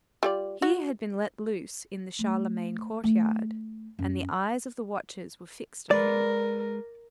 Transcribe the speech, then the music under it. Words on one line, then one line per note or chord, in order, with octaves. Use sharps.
He had been let loose in the Charlemagne courtyard, and the eyes of the watchers were fixed on him.
G3 F4 D5
F#4
A3
A3
F#2
G#3 A#4 B4 D5